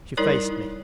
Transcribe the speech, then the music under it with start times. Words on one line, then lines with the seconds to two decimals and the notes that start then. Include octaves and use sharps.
She faced me.
0.17 G3 D#4 E4 A#4 C#5 D5